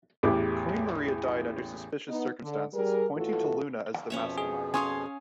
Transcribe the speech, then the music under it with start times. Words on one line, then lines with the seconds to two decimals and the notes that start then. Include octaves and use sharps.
Queen Maria died under suspicious circumstances, pointing to Luna as the mastermind.
0.23 A1 E2 G4 G#4 D6
2.08 B3 D#4
2.42 D3
2.74 G3 G#4 A#4
3.15 A2 E3 F4 F#4 A4
4.10 F2 B2 F3 C#4 C#5 E5
4.38 G#4
4.74 C#4 C#5 F5 G#5 C6 D#6